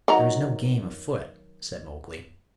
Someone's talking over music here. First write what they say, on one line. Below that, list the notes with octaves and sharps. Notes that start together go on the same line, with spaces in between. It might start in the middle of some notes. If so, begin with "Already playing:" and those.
"There is no game afoot," said Mowgli.
D#3 F#3 A#5